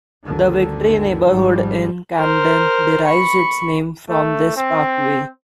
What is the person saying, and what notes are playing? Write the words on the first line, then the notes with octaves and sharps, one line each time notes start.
The Victory neighborhood in Camden derives its name from this parkway.
G1 D2 D3 D#3
G#1 G#2 F3 G3
A#4 C5
B5 C#6
A3
C4